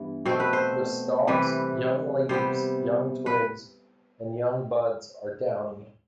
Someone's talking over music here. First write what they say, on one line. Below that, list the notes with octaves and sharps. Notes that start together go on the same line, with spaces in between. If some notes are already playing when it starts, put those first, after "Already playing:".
The stalks, young leaves, young twigs and young buds are downy.
Already playing: G2 E3 B3
B2 A3 C4 C5
B4
C5
C3 E3 G3 B4
C3 G3 B3 C5
B4